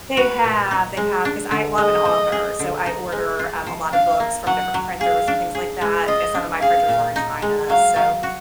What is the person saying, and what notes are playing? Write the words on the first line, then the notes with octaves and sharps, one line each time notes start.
They have, they have, 'cause I well, I'm an author, so I order, um, a lot of books from different printers and things like that, and some of my printers were in China, so,
F#4 B4
A#2
D#4
G#3
D4
D3
G#3 D#5
F3
G#4
D3
D#4
G#3
F4
F3
D4 F5
A#3
F#3 F#5
F#3
G#4 F5
D4
G#4
G#3
F4 D#5
D4
G#4 F5
A#2
D#4
G#3
F#3 F5
F#3
F#4